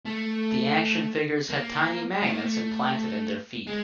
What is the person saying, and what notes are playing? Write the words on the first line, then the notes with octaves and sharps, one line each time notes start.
The action figures had tiny magnets implanted in their feet.
A3
A#3
A3
A#3
A3
G#3